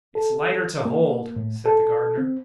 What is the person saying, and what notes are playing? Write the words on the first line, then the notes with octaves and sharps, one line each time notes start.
"It's lighter to hold," said the Gardener.
A4
A#3
A2
A4
C4